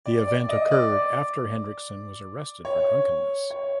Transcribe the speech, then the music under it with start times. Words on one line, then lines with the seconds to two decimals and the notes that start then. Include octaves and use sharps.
The event occurred after Henriksson was arrested for drunkenness.
0.06 D5
0.28 D5
0.49 D#5
0.71 D5
2.65 C#5
3.50 C#5